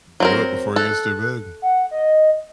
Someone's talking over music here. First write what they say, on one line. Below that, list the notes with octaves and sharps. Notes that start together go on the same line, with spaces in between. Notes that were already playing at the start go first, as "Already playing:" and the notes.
Do it before he gets too big.
F#3 C4 A#4
A4 F#6
F#5
D#5